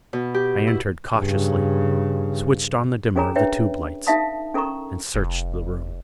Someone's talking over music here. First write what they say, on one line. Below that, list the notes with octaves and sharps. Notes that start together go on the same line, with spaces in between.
I entered cautiously, switched on the dimmer of the tube lights, and searched the room.
B2
G4
E4
G2 C#3
C#4 G#4 A#4 C#5 G#5 A#5
D4 B4 C#5 E5 G5
D#4 A4 E5 F5 A5 D#6
C#4 A4 A#4 A#5 C#6
F1